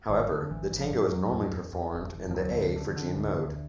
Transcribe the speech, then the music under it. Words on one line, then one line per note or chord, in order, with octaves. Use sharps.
However, the tango is normally performed in the A Phrygian mode.
G#1 D#3
D3
G#1 E3
G#1
F3
G2
E2 F#3
E2
E2
E2
E1
E1
F3
D2 F#3
D3
D3
D3
D2
D2